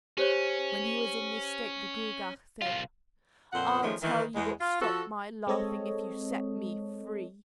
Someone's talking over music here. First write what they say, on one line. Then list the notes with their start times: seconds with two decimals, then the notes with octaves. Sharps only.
When he was in this state the Gruagach said: "I'll tell you what stopped my laughing if you set me free."
0.18 C#4 G4 C5 C#5
2.62 C2 F4 F5
3.53 F2 A#2 C5 F#5
3.82 D#3 F3 G#3 A3 C#4
4.02 D#3 E3
4.35 E2 G#3
4.60 F4
4.81 F3 F#4 A4
5.47 G#3 C4 A4 C#5 D#5